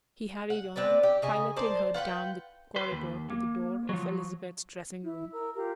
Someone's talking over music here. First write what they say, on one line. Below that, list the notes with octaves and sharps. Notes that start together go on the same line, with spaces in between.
He hurried on, piloting her down the corridor to the door of Elizabeth's dressing room.
F#5
C4 D4 B4 D5
G4
C#3 D#5 G#5
A#4 C5 D5 A5
F4 B4 F#5 G5
B4 C6
D#2
A#3
F3 F#3
E4
A#4 E6
F4 G4 A#4 F5